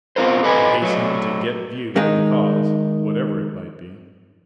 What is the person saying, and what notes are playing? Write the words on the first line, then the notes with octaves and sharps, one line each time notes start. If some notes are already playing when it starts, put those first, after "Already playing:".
He hastened to get view of the cause, whatever it might be.
B3 C4 F4 A#4 C5
G4 A4 B4 D#5 G#5
F#3 A3
D#3 G#3 D#4